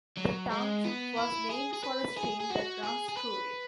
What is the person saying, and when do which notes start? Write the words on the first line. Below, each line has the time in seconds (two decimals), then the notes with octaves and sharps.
The township was named for a stream that runs through it.
0.17 F#3
0.51 G#3
0.84 B3
1.17 E4
1.50 G#4
1.74 G#4
1.84 B4
2.17 G#4
2.40 G#4
2.50 F#4
2.84 G#4
3.09 G#4
3.17 B4